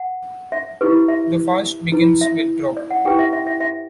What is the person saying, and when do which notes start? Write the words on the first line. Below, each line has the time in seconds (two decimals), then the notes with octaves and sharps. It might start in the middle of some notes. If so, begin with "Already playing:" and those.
The fast begins with dawn.
Already playing: F#5
0.52 E5
0.81 E4 G4 B4
1.08 E5
1.92 E4 B4
2.21 E5
2.77 D5
2.91 F#5
3.05 E4 G4 B4 G5
3.19 E5
3.33 E5
3.47 E5
3.60 E5